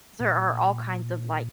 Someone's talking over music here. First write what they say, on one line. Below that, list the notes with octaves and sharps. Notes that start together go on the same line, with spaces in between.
There are all kinds of, like,
A#2